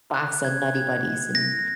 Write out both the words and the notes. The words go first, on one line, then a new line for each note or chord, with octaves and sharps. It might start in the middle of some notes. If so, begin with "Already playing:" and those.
box of Nutty Buddys and
F#6
G#6
G#6
A#6